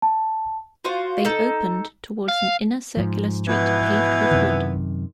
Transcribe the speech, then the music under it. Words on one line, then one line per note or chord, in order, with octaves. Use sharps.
They opened towards an inner circular street paved with wood.
A5
F4 F#4 C5 F5
D#4 A4
F5
G#2 F3
B2 E3 B3
F#2 C3 D#3